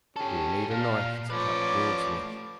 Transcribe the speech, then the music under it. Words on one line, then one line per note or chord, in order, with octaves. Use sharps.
You will need a knife to cut cords with.
C#4 G4 A4
A#2 F5
F3 A3 B4 C#5 D5 D6